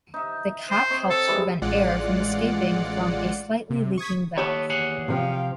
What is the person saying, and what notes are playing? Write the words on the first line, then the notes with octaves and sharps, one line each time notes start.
The cap helps prevent air from escaping from a slightly leaking valve.
D#4 E5
C5
C4 C#5 D#5
A4
E3 G3 G#3
A1 G#3 F4 D5 F#5
C3
C#6 D#6 G#6 B6
D#2 B3 G4 A4 C#5
E2 G#4 F#5
C3 F3 F5 G5